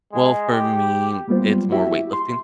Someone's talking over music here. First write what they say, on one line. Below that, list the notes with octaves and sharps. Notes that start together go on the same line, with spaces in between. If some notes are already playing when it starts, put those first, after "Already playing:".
Well, for me, it's more weightlifting.
G#3
G4
F#3 G3 A#3 B3 F4 C5
E4 F#4 G4 E5
C6